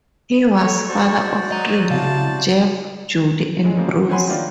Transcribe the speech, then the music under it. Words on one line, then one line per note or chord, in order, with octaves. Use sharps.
He was father of three: Jeff, Judy, and Bruce.
A4 C#5
F#4 C5 D5 A5 C#6
F#3 D#5 A#5
C2 C#3 F#3 F5 A5
G2 G#3 C#4
C#3 F3 F#3 G#3 A#3
F#4
C4 C#5 F#5 G#5 B5 C6
D#3 F#3 G#3 A#3 D4 F4